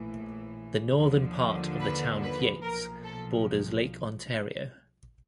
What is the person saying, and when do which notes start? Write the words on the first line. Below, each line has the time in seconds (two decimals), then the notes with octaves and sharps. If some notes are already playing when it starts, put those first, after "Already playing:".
The northern part of the Town of Yates borders Lake Ontario.
Already playing: A#1 A2 E3
0.98 D#2 D3 F3
1.81 B4
2.22 B4
2.63 B1 A#2 F3 A#4
3.04 A4